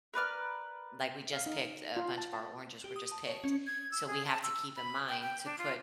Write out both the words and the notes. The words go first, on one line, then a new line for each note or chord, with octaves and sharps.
like, we just picked a bunch of our oranges were just picked. So, we have to keep in mind to put
A#4 B4 D5 F6
F5
D#4
F4
A5
A5
G4
D#6
A5
C#5
C#4
G#6
E6
G#4
A5
E6
B5
G5
G5
D4
F4